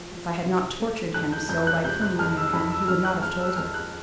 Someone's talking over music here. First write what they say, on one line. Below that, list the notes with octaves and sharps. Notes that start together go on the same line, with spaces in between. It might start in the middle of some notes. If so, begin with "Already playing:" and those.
If I had not tortured him so by clinging near him, he would not have told her.
Already playing: F3
F3
C3
A3
F2 F#6
G6
F2 G6
F#6
C3 G6
F#6
F2 F6
E6
F2 B5
E6
F2 F6
F#6
F2 F6
E6
F2 F6
F#6